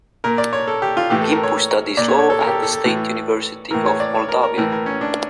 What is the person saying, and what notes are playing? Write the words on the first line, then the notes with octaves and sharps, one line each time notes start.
Ghimpu studies law at the State University of Moldavia.
A#2 A#4
D5
C#5
A4
G4
F4
A2 E3 G4
A4
A#4
C#5
A#2 D5
C#5
C#5
A4
A#4
G4
A4
A4
A4
A2 E3
A2 E3 A#4
C#5
D5
C#5
A#4
A#4
A2 E3 A#4
A#4
C#4
D4